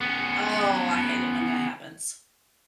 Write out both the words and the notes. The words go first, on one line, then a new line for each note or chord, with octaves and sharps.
Oh, I hate it when that happens.
B3 C#4